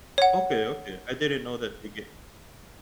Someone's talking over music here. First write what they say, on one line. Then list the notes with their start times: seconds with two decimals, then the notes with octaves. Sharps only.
Okay, okay. I didn't know that they get
0.18 C#5 F#5